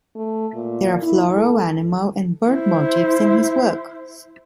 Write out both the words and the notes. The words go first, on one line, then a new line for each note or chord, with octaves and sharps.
There are floral, animal, and bird motifs in his works.
A3
A#2
E4
A4
E4 C5